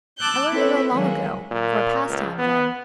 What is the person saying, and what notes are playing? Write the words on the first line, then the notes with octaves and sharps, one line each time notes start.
I learned to row long ago--for a pastime then.
A5 D6 E6 F#6 G6
C4 E4 A4 B4 C#5
D#3 F#3 G#3 A#3 C#4
A#2
C#2
B3